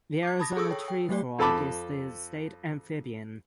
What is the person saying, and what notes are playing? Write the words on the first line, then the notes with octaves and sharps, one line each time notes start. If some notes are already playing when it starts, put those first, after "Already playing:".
The Arizona tree frog is the state amphibian.
D6 G#6
A5 B5 D#6 A6 A#6
G#4 A4 C#6 D#6 E6
C#5 G5
G5
F#3 A3 G4 D5
F2 A4 A5 B5 D6